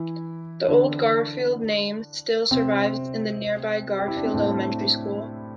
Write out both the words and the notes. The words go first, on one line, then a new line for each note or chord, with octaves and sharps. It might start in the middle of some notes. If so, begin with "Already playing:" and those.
The old "Garfield" name still survives in the nearby Garfield Elementary School.
Already playing: E3 E4
D3 D4
C3 C4
G4
E4
D4
C4
A2 A3